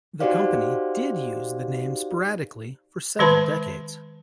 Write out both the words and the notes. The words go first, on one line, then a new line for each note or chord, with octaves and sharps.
The company did use the name sporadically for several decades.
D#4 F#4 G4 C5 D5 F5
D#3 G#3 B4 A5 B5